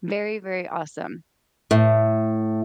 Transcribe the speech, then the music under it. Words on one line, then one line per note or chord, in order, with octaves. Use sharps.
Very, very awesome.
A2